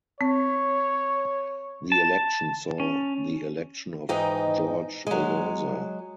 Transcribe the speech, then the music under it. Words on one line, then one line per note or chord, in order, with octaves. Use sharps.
The election saw the election of Jorge Elorza.
C4 C#5
A5
C#4
G#2 E3 D#4 D#5 G5
F#3 G#3